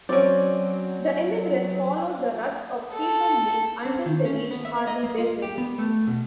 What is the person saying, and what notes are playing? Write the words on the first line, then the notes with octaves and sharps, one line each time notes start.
The emigrants followed the ruts of Stephen Meek until they reached Harney Basin.
F#3 C4 C#4 D5
A4
C4
D#3
C#4
B3
E5
D#5
A#3
F4
G4
B3
A3
B2